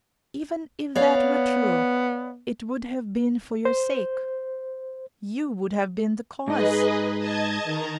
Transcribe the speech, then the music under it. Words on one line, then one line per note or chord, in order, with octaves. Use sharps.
"Even if that were true, it would have been for your sake... you would have been the cause."
B3 C#5 D5 F5
C5
G#2 D#4 G#4 B4 D#5
D#5 A5 G#6
D#3 A#5